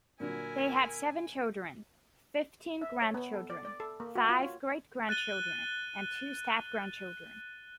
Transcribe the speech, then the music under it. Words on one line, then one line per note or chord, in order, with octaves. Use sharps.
They had seven children, fifteen grandchildren, five great-grandchildren, and two step-grandchildren.
A#2 D3 F#3 E4 A#4 G#5
E5
C#5
B3
A4
D5
D5
A4
A#3
F#4
F4
C#5
F#6 A6 D#7 G7